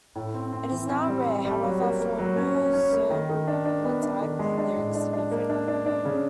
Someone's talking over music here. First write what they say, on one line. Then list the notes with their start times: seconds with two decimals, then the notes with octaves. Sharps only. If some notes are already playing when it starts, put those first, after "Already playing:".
It is now rare, however, for new zemer-type lyrics to be written.
0.15 A2
0.34 C4
0.53 C4
0.71 E3
0.89 C4
1.08 G3
1.26 C4
1.45 G3
1.63 F#3
1.81 A#3
2.00 A#3
2.18 F#3
2.37 C#4
2.55 C#4
2.73 C#4
2.92 A#3
3.10 D#3
3.29 D#3
3.47 D4
3.65 D4
3.84 B3
4.03 D4
4.21 D#3
4.39 G#3
4.58 D4
4.76 A2
4.94 D4
5.13 D4
5.31 A#3
5.49 D4
5.68 D4
5.86 D4
6.05 C#3